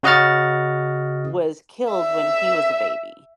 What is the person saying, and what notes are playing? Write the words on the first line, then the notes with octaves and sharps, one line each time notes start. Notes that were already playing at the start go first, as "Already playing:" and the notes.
was killed when he was a baby.
C#3 F#4 D#5 F#5 F6 A6
E5